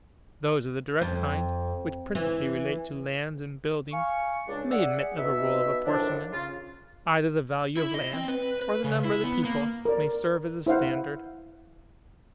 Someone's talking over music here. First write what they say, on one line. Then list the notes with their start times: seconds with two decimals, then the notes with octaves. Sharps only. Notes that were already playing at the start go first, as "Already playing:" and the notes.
Those of the direct kind, which principally relate to land and buildings, may admit of a rule of apportionment. Either the value of land, or the number of the people, may serve as a standard.
1.01 F2
2.15 E3
3.92 F5 G#5 C#6
4.47 C#2 D4
4.71 G#4 D5 E5 F#5
5.17 B2 D#4 E5
5.85 F#2 A2 D#3 F3 D4
6.32 C#3 F4
7.77 E4
7.94 D#5
8.13 C4
8.28 B4
8.62 B4
8.84 C#3
9.05 E4
9.24 B3
9.45 A#3
9.85 A#4 D5
10.66 E4 C5 F5 F#5